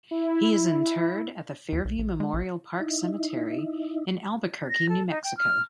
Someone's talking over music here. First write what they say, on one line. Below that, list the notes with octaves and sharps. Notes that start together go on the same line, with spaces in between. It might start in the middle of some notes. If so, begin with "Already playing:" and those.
He is interred at the Fairview Memorial Park Cemetery in Albuquerque, New Mexico.
E4
D#2
B1
A#1
G#3
A#1
D#4 E4
A#6
A4
D#4
G5
F6